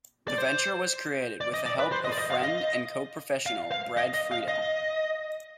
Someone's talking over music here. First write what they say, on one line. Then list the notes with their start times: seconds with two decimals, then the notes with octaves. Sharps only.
The venture was created with the help of friend and co-professional Brad Friedel.
0.28 D5
0.38 C5
1.41 D5
1.54 D#5
1.66 D5
1.79 B4
1.92 C5
2.05 D#5
2.12 D5
2.18 D#5
2.30 F5
2.43 D#5
3.46 F5
3.72 F5
3.97 D#5
4.14 D#5
4.31 F5
4.48 D#5